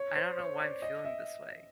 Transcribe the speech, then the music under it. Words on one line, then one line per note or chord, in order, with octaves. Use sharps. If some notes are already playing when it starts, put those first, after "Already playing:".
"I don't know why I'm feeling this way,
Already playing: C#5
C5
C#5
D5
D#5
E5